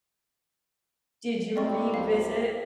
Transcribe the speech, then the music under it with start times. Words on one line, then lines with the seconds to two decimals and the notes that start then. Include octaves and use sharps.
did you revisit
1.56 A2 C3 C4 D5 D#5 C#6
1.94 D2 F5